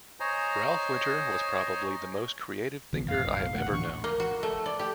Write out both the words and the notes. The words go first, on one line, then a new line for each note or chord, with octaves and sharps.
Ralph Winter was probably the most creative thinker I have ever known.
C5 C#5 D#5 G#5 A#5
A#1 D#3 F3 B3
F#2 A2 C#3 F5
B1
A#1 D#2 D#3 A3 F#5
A2 E3 D4 C#6
A#3
F#4
A3
D5
G4